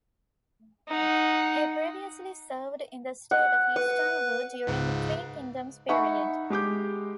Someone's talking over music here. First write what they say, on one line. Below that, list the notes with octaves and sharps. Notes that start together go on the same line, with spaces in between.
He previously served in the state of Eastern Wu during the Three Kingdoms period.
D#4 F#5
F#5
B4 F#5
C#2 G#2 C#3
D#4 E5 F#5 G#5 B5 C#6
G#3 G4 D6 G6